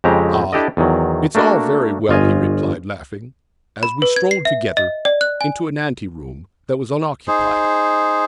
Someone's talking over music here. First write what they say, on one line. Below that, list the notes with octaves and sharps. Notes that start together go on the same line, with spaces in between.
"Ah, it's all very well," he replied, laughing, as we strolled together into an ante-room that was unoccupied.
F2 C#3 G#3 C4 G4 A#5
D4 E4 G4 A4 D5 D#5
E2 D#3 F#3
A3 A#3 D4 F#4
G1 F4 D#5 G#5
B5
B4
G#6
C7
E5
D#5
D5
F#6
G#5
D#4 G#4 C5